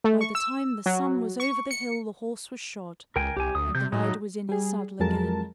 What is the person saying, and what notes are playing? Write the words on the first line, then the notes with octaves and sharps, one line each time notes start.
By the time the sun was over the hill the horse was shod, and the rider was in his saddle again.
A3
C#6
E6
F#3
C#6
C#7
C#2 A#4 G5 G#5
C2 G4 G#5
D2 D#6
C3 G6
A2 F#3 D#4
G3 G#4
F2 F#3 G#3 A#4 A5